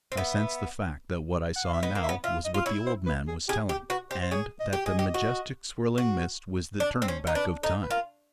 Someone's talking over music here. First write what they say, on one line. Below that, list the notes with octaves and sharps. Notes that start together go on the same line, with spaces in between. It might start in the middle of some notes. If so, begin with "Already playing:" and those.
I sensed the fact that what I saw now was what the old man was telling, and that the majestic, swirling mist was the turning back of time.
C4
B3 E5
F#5
F5
E5
B3 D#5
A#3
E5
B3
F4 E5
D#5
F4
E4 C#5
C5
B4
G#4
G4 G#4
G4
F#4 B4
G4 C5
C5
G#4 C#5
D#5
G4
G#4 D#5
G4
F#4
F#4
D4 D5
C4
C#4 C5
D#4
D4 B4
D#4 A4
B4
F4 A#4